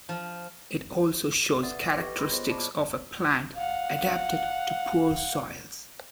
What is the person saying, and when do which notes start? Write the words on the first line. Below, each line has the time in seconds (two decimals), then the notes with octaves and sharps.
It also shows characteristics of a plant adapted to poor soils.
0.09 F3
1.63 B4 D5 E5 F#5 D#6 A6
1.82 D6 A#6
1.98 G4 A4 B4 D#5 G5 C#6
2.18 G#4 B5 C6 A#6
2.31 B3 F4 G#4 C5 C#5 D#5
2.49 D5 A5 B5 C#6 D6
3.55 F5 F#5